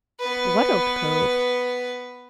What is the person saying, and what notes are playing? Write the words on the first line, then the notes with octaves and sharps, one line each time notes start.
"What old cove?"
B3 B4